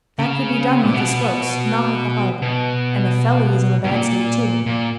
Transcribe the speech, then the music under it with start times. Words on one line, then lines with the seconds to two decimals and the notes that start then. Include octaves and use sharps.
"That could be done with the spokes, not with the hub; and the felly is in a bad state, too."
0.19 C#3
0.83 A#2
0.94 B2
2.42 B2
3.84 G2
3.91 A#2
4.66 A#2